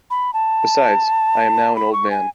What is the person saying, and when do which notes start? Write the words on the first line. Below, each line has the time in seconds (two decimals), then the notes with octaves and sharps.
Besides, I am now an old man.
0.11 B5
0.34 A5
1.76 B5
1.93 C#6
2.11 G#5